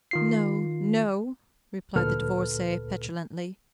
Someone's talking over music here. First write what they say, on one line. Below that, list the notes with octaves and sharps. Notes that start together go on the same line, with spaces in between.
"No, no," replied the Divorcee, petulantly.
D#3 F4 C7
D2 A#2 A4 B4 F6